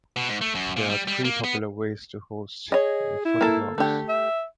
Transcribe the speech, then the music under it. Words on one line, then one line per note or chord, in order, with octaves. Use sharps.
There are three popular ways to host a photoblogs.
B2
G#2
A3
F#2
A#2
G3
G3
A#3
B3
G#4 C#5 D#5
E4
A#3 A4
D3 A3 G4
E5